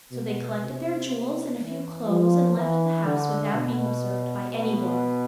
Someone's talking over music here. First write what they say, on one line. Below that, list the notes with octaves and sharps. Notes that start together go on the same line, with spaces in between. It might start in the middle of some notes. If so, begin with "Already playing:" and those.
So they collected their jewels and a few clothes and left the house without being observed by anyone.
B2
C3
E3
F3
E3
D3
B2
B2